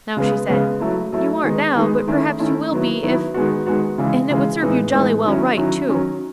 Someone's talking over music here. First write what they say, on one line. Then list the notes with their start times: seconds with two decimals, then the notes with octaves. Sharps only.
Now she said-- 'You aren't now, but perhaps you will be, if--And it would serve you jolly well right, too.'
0.17 C#3 G#3 B3
0.49 C#3 G#3 B3
0.80 F#3 A3 E4
1.12 F#3 A3 E4
1.44 D#3 G#3 B3 D#4
1.75 D#3 G#3 B3 D#4
2.08 D#3 A3 C#4 E4
2.39 D#3 A3 C#4 E4
2.71 D#3 F#3 B3 E4
3.03 D#3 F#3 B3 E4
3.34 D#3 G#3 B3 F#4
3.67 D#3 G#3 B3 F#4
3.98 C#3 E3 G#3
4.30 C#3 E3 G#3
4.62 A2 E3 G#3 B3 D#4
4.94 A2 E3 G#3 B3 D#4
5.25 D#3 F#3 C#4 E4
5.57 D#3 F#3 C#4 E4
5.89 D#3 F#3 C#4